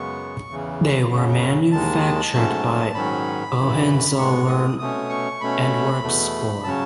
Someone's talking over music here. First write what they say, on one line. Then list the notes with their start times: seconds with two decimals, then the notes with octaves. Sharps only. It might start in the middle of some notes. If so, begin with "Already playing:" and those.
They were manufactured by Hohenzollern and Werkspoor.
Already playing: F#2 C#3 G#3 B3 C#6
0.50 E2 C#3 E3
1.10 F#2 C#3 F#3
1.72 D#2 D#3 G#3 A5
2.33 G#2 F#3 A3 C#4
2.94 G#2 D#3 F#3 C#4 B5
3.57 F#2 C#3 E3
4.18 A2 G#3 B3 C#6
4.49 D#6
4.79 B2 A3 C#4 D#6
5.10 C#6
5.41 B2 A3 C#4 B5
6.02 E2 B2 A3
6.64 C#3 F#3 C#4 A5